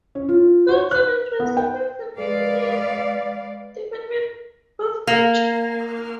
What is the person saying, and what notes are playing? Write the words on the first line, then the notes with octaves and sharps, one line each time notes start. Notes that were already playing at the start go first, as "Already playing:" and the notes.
Gods are not restricted to definite departments of nature.
C#4
F4
F#4
F#6
B3
G5
G#3 B4 D5 F5
A#3